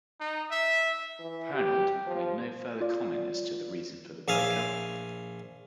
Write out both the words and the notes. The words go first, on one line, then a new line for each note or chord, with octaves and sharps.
Pernald made no further comment as to the reason for the break-up.
D#4
E5
E3
G4
F3
F4 D5
A#1 E5 F5 G#5 D#6